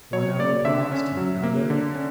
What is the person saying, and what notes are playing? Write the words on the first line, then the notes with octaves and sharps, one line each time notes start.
One hour passed, and another.
F#3 C#5
A#3 D5
D3 E5
C#4
F#3
A#3
D3
C#4